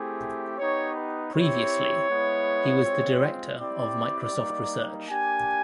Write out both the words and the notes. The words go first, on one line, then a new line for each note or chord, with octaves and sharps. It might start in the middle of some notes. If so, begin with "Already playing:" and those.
Previously, he was the director of Microsoft Research.
Already playing: A3 C4 E4 G4 G#4
B3 D#4 G4 C#5
B4
C4 E4 G4 C#5
G#3 B3 E4
G#3 C4 F4
C4 E4 G4 D5
G3 A#3 D#4
A#3 D4 G4 G#5